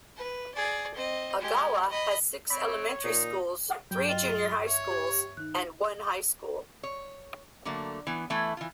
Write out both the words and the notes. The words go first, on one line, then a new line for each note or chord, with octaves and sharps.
Ogawa has six elementary schools, three junior high schools, and one high school.
B4
G#4 D5
C4 D#5
G#3 G4
D#5 B5
C4 C#5 B5
A#2 D#4
G2 F#3 G5
F4 D#5 G5
C#5 E5 G#6
G4 G#6
D#3 D#4 F#6
C#5
D3 F#3 A3 A#3
E3 B3
E3 A3 B3 E4
E3 F4